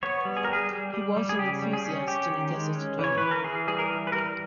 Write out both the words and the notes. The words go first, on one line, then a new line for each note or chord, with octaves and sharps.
He was an enthusiast and a desert dweller.
B3 C#5
G3
G#4
A#4
G3
G#4
G3
G3
G3
G#4
C#3 G4
G3
G#4
C#4
C#4 G4
D#3
G#3
C#4
E3 C#5
E3 B4
A#4
E3 G#4
G3 G#4
A#4
E3
B4
G3 A#4